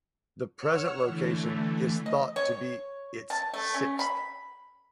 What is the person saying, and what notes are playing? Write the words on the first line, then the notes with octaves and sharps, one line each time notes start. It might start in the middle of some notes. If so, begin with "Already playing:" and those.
The present location is thought to be its sixth.
C#5 F#5 C#6 E6 F6
D3 E3 A3
D#5
C#5
A5
A3
C#4
B5